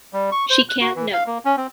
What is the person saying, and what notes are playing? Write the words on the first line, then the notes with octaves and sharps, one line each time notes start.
She can't know.
G3
C#6
C5
F#6
F#4
E3
F5
A#3
C#4
C4